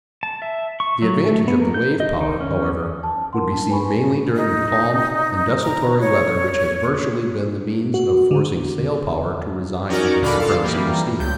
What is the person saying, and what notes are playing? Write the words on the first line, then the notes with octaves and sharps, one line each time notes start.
The advantage of the wave-power, however, would be seen mainly during the calm and desultory weather which has virtually been the means of forcing sail-power to resign its supremacy to steam.
A5
E5
C#6
F#3
A3
B3
A#3
G6
D#5
D#3
C#4
A5
D4 A#4 F#5 C6
D4 A5
B4 G#5 B5 C#6
D#4
A#5
C#5
F#4
D3
C#4 D#4 F#4 A#4 D5
D#2 A#2 D3 D5 B5 F6
F4 A4 F5
E3 G3 A#3
C#2 G6